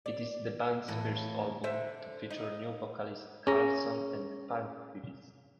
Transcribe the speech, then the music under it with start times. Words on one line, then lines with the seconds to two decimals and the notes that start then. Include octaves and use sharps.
It is the band's first album to feature new vocalists Karlsson and Palmqvist.
0.06 D5
0.88 F2 A2 E3
1.64 D3 C5 E5
2.30 D#4
3.47 C#4 G#4 A#5